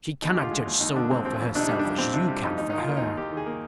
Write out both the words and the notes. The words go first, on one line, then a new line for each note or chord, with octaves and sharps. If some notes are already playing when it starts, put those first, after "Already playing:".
She cannot judge so well for herself as you can for her.
D#2 D#4
D3 G4
F4
G#3
D#2
D#2 D#4
D3 D4
G#3 C4
D#2 C4
F2
C3 D4 D#4
G3
D4
F2
F2 C4
C3 D4
G3
F2 D#4
D#2 D#4
D#4
D#3
F4
A#3
D#4
D#2
D#2 G4
D#3
G#4
A#3